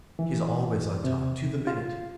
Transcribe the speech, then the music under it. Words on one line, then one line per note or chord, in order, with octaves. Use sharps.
She's always on time, to the minute.
E3
C3
F4